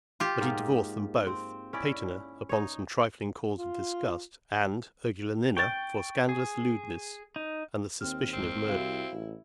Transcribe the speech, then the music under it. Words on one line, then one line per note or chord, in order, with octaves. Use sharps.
But he divorced them both; Paetina, upon some trifling causes of disgust; and Urgulanilla, for scandalous lewdness, and the suspicion of murder.
F4 G4
G#2 A#3 D#5
C4
C#4 E4 D5
D#4 C#5
F4
G5 C#6 A6
G#4
D#4
D#2 C4 F6
G#1 C4
C2 E4 F#4 F5 E7
A1